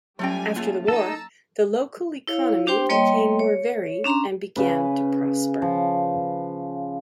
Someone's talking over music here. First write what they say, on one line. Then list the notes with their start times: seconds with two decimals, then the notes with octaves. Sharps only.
After the war, the local economy became more varied and began to prosper.
0.19 F#3 G3 A3 C#4 F4 G5 G#5
0.56 C#3 A3 A#3 F4
0.88 D#4 A4 A5 A#5 E6
2.27 E4 C#5 F5
2.67 D4 G4 C5 G5 C6
2.89 G3 A#3 C#5 D#5 G5 C6
3.39 C#5
4.04 C#4 D4 A#5 C6
4.56 C#3 B4
5.62 F3